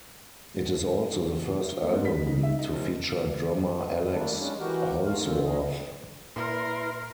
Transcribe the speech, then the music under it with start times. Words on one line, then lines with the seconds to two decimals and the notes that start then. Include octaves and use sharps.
It is also the first album to feature drummer Alex Holzwarth.
1.69 G7
1.81 A3
1.93 G#2
2.05 B6
2.27 D#4
2.43 E5
2.59 D#4
2.73 F1
4.12 D3 D#3 G3 A3 A#3 D4
4.39 G3 G#3 C#4 D4
4.60 E3 F#4 G4 A#4
5.05 A3 F4 A#4 F5
5.20 F#2 A#2 D3 A#3 C4
5.46 F2 B2 A3 G#4 D#5
6.36 A#2 E4 A#4 B4 C6